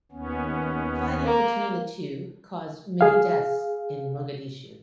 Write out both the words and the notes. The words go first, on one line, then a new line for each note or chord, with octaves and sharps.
Fighting between the two caused many deaths in Mogadishu.
D#2 B3 C#4
A#3
G#4 F5